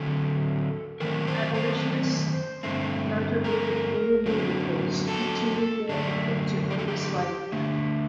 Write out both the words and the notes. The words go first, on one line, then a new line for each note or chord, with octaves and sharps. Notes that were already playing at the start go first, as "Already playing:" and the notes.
Abolitionists, notably William Wilberforce, continued their effort to end the slave trade.
Already playing: D3 F#3 C4 A4
F#2 D#3 A3 C4 A#4
C5
C5
G2 D3 A3 C4
A#4
F#2 D3 F#3 C4
A4
F#2 D3 A3 D4
G4
A4
G4
D3 A3 D4